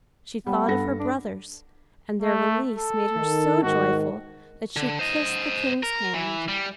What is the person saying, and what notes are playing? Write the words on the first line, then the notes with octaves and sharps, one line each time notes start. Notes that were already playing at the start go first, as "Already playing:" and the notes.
She thought of her brothers, and their release made her so joyful that she kissed the King's hand.
G3 B3
G2 A4 A#6
D4
A3
A4
D#3
G#2 D#3 F#4
D3
C5 D#5
A#4
E3
G3